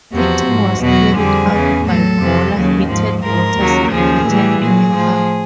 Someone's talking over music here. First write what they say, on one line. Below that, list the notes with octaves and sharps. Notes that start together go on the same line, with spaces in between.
Heating was carried out by boiler heated water circulated in the car.
E2 C3 F3 F#4
G#2 F3
E2 B2 F#3 F#4
F2 D3 G3 G#4
E2 C#3 E3
A2 F#3 A4
F2 C3 F3
D#2 C#3 F#3
G#2 F3
G#2 F3 A#4
D#2 C#3 F#3
D#2 C#3 F3 G#4
A2 E3 G3
A#2 F#3 G#4
A2 F3